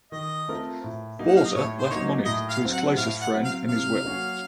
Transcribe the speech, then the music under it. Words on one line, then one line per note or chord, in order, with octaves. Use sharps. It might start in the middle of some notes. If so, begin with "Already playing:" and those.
Borza left money to his closest friend in his will.
D#3 D#5
A3 C4 F4 A#4
A2
F#3 A#3 D#4
F#5
F5
D#5
A2 C#5
C5
F#3 A#3 D#4 C#5
A2 D#5
F5
F#3 C4
F#5
A2 F5
F#5
F#3 C4
F5
C3 F5
F#3 A#3 C#4 F#4